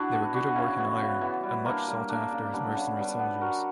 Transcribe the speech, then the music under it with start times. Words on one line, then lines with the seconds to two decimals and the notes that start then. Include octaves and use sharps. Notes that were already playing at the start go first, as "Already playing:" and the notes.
They were good at working iron and much sought after as mercenary soldiers.
Already playing: D4 E4 F#4
0.11 B3
0.34 D4 F#4
0.56 C#3
0.77 E3 B3
1.00 C#3
1.21 E3 B3
1.43 G3
1.66 A#3 D4
1.88 G3
2.09 A#3 D4
2.31 C#3
2.53 G3 B3 D4
2.75 C#3
2.97 G3 B3 D4
3.19 B3
3.41 F#4 A#4